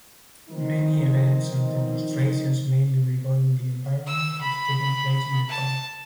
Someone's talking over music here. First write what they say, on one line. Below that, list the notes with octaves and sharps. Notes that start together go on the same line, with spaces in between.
Many events and demonstrations mainly regarding the environment have taken place in the park.
D#3 F3 G3 C4 D#4
E6
B5
A5